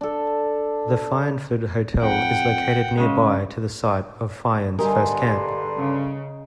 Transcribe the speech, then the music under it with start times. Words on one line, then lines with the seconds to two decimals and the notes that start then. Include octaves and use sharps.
The Fyansford Hotel is located nearby to the site of Fyan's first camp.
0.01 D4 A4
2.02 F2 F#5 G5
2.97 C#3 G#3
4.79 G2 D3 G3 D#4 G4 G#4 A#4 C6
5.76 C#3